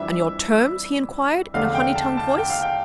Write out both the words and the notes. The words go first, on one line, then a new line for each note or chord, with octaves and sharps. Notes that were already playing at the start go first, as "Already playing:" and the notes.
'And your terms?' he inquired, in a honey-tongued voice.
Already playing: F2 E3 G3 D4 E5
F1 E2 D3 A3 F5
G5
A5
A5
G5
F5
G5